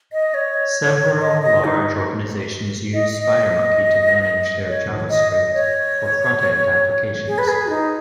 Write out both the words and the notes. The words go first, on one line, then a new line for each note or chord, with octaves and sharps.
Several large organizations use SpiderMonkey to manage their JavaScript for front-end applications.
D#5
C#5
D#5
D#5
D#4
D#5
D#5
C#5
D#5
D#5
C#5
G#4
B4
G#4
F#4
D#4